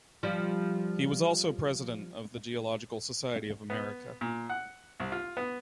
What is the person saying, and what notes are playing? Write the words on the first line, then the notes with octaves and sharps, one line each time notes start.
He was also President of the Geological Society of America.
F3 G3
B3
A#2
F#5
C2
F4
B3